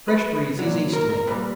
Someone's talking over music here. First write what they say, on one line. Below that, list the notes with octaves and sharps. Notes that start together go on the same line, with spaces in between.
Fresh breezes easterly.
B4
A#2 F#3
A#4
A#4
A#2 G3 B4